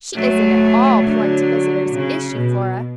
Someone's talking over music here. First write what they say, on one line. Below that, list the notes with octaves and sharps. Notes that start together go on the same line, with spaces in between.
"She isn't at all polite to visitors, is she, Flora?"
F#3 A3
D3 F#3
C#3
B2